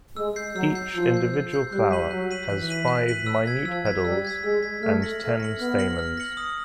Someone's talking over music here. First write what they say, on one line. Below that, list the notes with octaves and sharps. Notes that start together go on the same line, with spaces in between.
Each individual flower has five minute pedals and ten stamens.
G#3 E6
G6 C7
F#3 E6
G6 C7
F3 E6
G6 C7
E6
G6 C7
G3 F#6
B6 D#7 F#7
F#3 F#6
B6 D#7 F#7
E3 F#6
B6 D#7 F#7
F#6
B6 D#7 F#7
E6
G#6 B6
F3 E6
G#6 B6
G3 E6
G#6 B6
G#3 E6
G#6 B6
A3 F6
A#6 C#7 F#7
A3 F6
A#6 C#7 F#7
B3 F6
A#6 C#7 F#7
F6
A#6 C#7 F#7
D#6